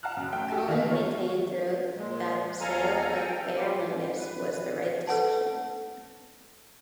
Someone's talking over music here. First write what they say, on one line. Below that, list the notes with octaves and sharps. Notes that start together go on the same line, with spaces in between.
Cullen maintained throughout that the sale of Aer Lingus was "the right decision".
F#5 A5 A#5 F6 F#6
F#2 C#3
A3 G5
F#4 G4 A4 G#5 A5
D#3 E3 A3 D#4
F4 C#5 C#6
A#2 G#3
E2 A4 F5 G#5 A#5
A4 G5
C#3 G3 G#3 A#3 G4
G#2
B4
A4 B4 F#5 A5